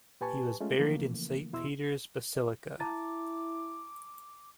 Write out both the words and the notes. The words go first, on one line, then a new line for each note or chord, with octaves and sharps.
He was buried in Saint Peter's Basilica.
A#2 G4 B4 G#5 A5 C#6
G#3 A3 C#4 F4
C#3 E3 F3 A3 A#3
E2 B2 E4 C6 E6
E4 A5 A#5 D6 A6